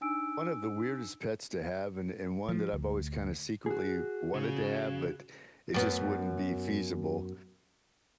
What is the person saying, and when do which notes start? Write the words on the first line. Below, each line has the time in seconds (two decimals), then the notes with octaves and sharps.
One of the weirdest pets to have, and and one that I've always kinda secretly wanted to have, but it just wouldn't be feasible,
0.01 D4 D#4 G#5 E6 D7
2.49 F3
2.73 D2
3.66 F#4 G#4
4.34 C#3
5.74 F#2 B3